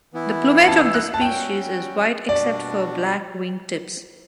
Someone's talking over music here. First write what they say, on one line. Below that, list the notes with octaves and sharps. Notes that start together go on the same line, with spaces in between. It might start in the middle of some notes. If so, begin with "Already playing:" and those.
The plumage of this species is white except for black wing tips.
E3 B3 E4
A5
E6
F#6
A5
G3 C#4 F#4 G5
B2 G3 D4 F#4 D5